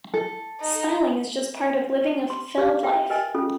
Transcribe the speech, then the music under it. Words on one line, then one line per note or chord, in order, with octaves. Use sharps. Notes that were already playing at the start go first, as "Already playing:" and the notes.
Smiling is just part of living a fulfilled life.
A4
D#4
C6
G4 B4 C#5 D5 E5 F5
E5 G5
A#4 B4 D#5 E5 G5 G#5
C#4 F4 G#4 A4